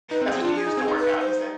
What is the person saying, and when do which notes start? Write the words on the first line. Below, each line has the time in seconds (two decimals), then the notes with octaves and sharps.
That's what you use to work out, you said?
0.11 D#4 B4
0.21 C4
0.26 G#4
0.32 C4
0.41 D4 F4
0.55 G#4
0.66 D#4
0.77 C4
0.88 D#4
0.99 B4
1.21 C5